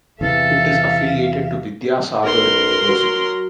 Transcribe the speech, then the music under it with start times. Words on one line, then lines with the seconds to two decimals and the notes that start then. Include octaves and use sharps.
It is affiliated to Vidyasagar University.
0.21 E2 C3 E3 A4 E5 F5
2.24 B1 A#4 C6
2.89 F#3